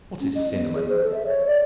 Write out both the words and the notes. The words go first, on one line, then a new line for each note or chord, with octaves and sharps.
What is Cinnamon?
C#4
D#5
B3
G#4
C5
A4
E5
C#5
D5